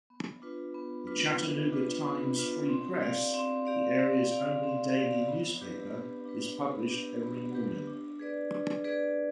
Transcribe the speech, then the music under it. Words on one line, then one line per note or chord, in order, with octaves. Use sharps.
The "Chattanooga Times Free Press", the area's only daily newspaper, is published every morning.
B3
D4 F4 B4
B3
D4 F4 B4
B3
D4 F4 B4
B3
D4 F4 B4
C4
G4 D5 F5
C4
G4 D5 F5
C4
G4 D5 F5
C4
G4 D5 F5
B3
D4 G4 B4
B3
D4 G4 B4
B3
D4 G4 B4
B3
D4 G4 B4
D4
G#4 B4 D5
D4
G#4 B4 D5